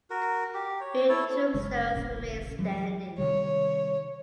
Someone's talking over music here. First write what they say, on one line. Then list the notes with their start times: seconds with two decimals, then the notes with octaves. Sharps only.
Few tombstones remain standing.
0.10 F#4 A#4
0.54 G4
0.81 C#5
1.09 E4 A4 C#5
1.54 F#1 C#3 G#3
1.92 D#1 A1 C#3
2.59 E3 F#3 G#3
3.18 C3 D#3 G3 C#5